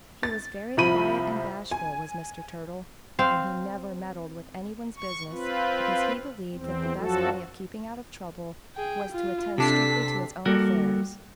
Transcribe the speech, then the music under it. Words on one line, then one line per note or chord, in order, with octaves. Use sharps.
He was very quiet and bashful, was Mr. Turtle, and he never meddled with any one's business, because he believed that the best way of keeping out of trouble was to attend strictly to his own affairs.
A6
C2 F3 B5 D#7
G#5
C4 F5
C#6
C4 F4 B4
E2 C4
F#2 F3 F#3 F#4 A4
G#4 G5
F4
C3 D4 A4 B6 C7
G3 A#3 F#4 A4 A#4